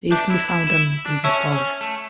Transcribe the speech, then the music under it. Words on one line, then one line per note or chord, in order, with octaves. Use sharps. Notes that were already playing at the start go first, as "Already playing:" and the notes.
These can be found on Google Scholar.
D4 B4 E5 A5 D6 G6
E4
E4
E4
D4
C#4 C#5 E5 A5 C#6 E6
C#4
A3